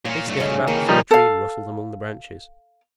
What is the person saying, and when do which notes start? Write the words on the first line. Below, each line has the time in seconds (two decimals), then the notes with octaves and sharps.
They snuffed about the Fir Tree, and rustled among the branches.
0.05 A#2 A#3 C#5
0.28 G2 A3
0.40 C#3 C#4 D#5
0.68 D#3 E3 A#3
0.88 F3 G3 D#4
1.11 A4 F5